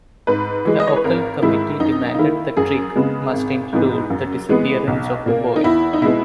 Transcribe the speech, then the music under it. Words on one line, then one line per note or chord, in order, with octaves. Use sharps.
The Occult Committee demanded the trick must include the disappearance of the boy.
G#2 B4
E3 G#3
D#5
C#5
B4
G#1 A#4
G#2 D#3 G#3 E4
F#2 D#4
D#4
D#3 A#3 E4
F#2 G#4
C#3 G#3 B3
G#1
G#2 E3 G#3 B3
F#2
E3 G#3 B3
B1
A#2 A#3
D#4
E2 E4
D#4
B2 G#3 B3 E4